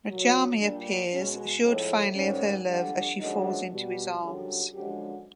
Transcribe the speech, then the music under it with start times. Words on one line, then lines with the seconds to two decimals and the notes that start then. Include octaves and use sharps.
Radjami appears, assured finally of her love, as she falls into his arms.
0.08 A#2 F#3
0.60 A#2 G3 D4
1.12 B2 G#3 C#4
1.64 A2 F3 G#3 C4
2.15 G#2 D#3 G3 C#4
2.67 F2 D3 G3
3.18 F#2 D3 F3 G#3 D#4
3.71 B2 G3
4.21 F#2 D3 G3
4.73 F#2 D3 F3 G#3 G4